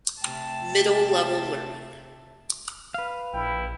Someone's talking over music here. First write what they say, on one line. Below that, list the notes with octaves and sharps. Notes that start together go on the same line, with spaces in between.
Middle Level Learning.
C3 A3 G5 A5
B4 F5
A#1 E4 G5